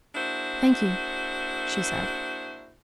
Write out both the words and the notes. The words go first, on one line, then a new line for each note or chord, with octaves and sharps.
"Thank you," she said.
A#3 D4 E4 F#4 G#4 C5